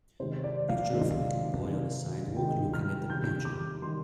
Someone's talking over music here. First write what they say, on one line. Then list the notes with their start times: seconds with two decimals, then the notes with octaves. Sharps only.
Picture of a little boy on a sidewalk looking at a pigeon.
0.20 C3 D#3 G#3 C5
0.44 D5
0.69 F5
0.92 C3 D#3 G#3
1.64 C3 D#3 G#3
2.37 C3 D#3 G#3 G5
2.74 F6
3.10 C3 D#3 G3 G6
3.45 D6
3.81 C3 D#3 G3 C6